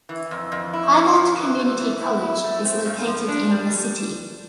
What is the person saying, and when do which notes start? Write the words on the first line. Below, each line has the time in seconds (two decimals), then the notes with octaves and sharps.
Highland Community College is located in the city.
0.09 E3
0.31 F2
0.52 F2
0.73 E4
0.94 F3
1.16 F3
1.37 E3
1.59 G3
1.79 E3
2.01 E4
2.22 E4
2.44 A3
2.65 C4
2.86 G2
3.07 F3
3.28 D4
3.50 G3
3.71 G3